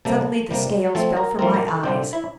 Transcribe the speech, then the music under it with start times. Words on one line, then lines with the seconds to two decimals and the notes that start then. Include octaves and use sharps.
Suddenly the scales fell from my eyes.
0.05 C3 G3 A#3 A4 A5
0.50 C3 G3 A#3
0.95 F3 A3 C4 A4 A5
1.17 A#4 A#5
1.39 F3 A3 C4 A#4 A#5
1.54 A#4 A#5
1.68 A4 A5
1.83 C3 G3 C4 F4 G4 G5
2.13 E4 E5